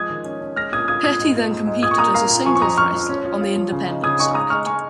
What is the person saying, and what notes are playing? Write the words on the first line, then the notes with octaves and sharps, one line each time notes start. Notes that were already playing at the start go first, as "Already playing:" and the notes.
Petty then competed as a singles wrestler on the independent circuit.
Already playing: F3 G#3 D#6 G#6
D#3
C#4
C#4
G#3 F6 A#6
A#2 D#6 G#6
F4 D#6 G#6
A#2 D#6 G#6
G#2
F4
G#2
G#2
A#2 D#6 G#6
C#6
A#3 A#5 D#6
A#3 F5 A#5
A#2
F3 G#5 C#6
C#6
F2 A#5 D#6
F2 C#6 F6
F3
C#4
F4
F4
F3
C#3
D#4
C#3 D#6 G#6
D#4 G#5 C#6
G#3 A#5 D#6
G#3 C#6 F6
G#3 G#5 C#6